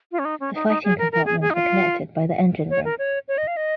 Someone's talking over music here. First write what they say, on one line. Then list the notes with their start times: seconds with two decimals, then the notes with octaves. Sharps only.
The fighting compartments were connected by the engine room.
0.12 F4
0.19 C#4
0.25 D#4
0.40 C#4
0.55 D#4
0.68 D#4
0.84 G#4
0.98 A#4
1.12 A#4
1.26 G#4
1.41 G#4
1.50 D#4
1.55 F4
2.70 C#5
2.85 A#4
2.99 C#5
3.28 C#5
3.38 D#5
3.47 F5
3.57 D#5